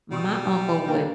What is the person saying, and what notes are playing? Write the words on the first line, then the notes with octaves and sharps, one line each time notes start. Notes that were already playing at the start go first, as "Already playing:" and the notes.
my uncle would
B2 G3 C#6 D#6
A#3 D4 G5